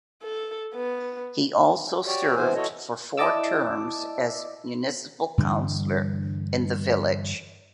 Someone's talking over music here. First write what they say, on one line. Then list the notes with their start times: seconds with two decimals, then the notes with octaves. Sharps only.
He also served for four terms as municipal councilor in the village.
0.23 A4
0.74 B3
2.06 F#4 G4 C#5 D5
2.36 C3 E3 B3 E4 C5 G#5
2.55 E4 F#4 A4 C#5 D#5
3.17 E4 D5 D#5 A5 D6 E6
5.38 G2 D3 E3 G3